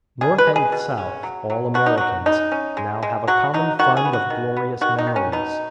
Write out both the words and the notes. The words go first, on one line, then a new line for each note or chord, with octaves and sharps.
North and South, all Americans, now have a common fund of glorious memories.
B2 G#4
B4
G#3
G#4
B2
C#4
F#3
F#3
B2 F#4
D#4
F#3 F#4
C#3 D#4
C#4
G#3
G#3
F#3 F#4
F#3 D#4
D#3 F#4
G#4
B3
F#4
D#3
B3
D#3 F#4
D#4
D#3
C#4
B2 D#4